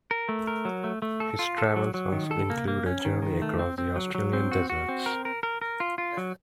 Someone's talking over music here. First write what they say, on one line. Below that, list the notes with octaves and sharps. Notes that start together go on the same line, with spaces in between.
His travels also include a journey across the Australian deserts.
A#4
A3
A#4
F#3
A3
A3
A4
F4
A4
F#3
F#3
D#3
A4
A#3
A#3
C#4
D#3
D#3
A3
C4
C4
F#3
F#3
C4
F#4
F#4
C4
A#4
A#4
A#4
A#4
F4
F4
F#3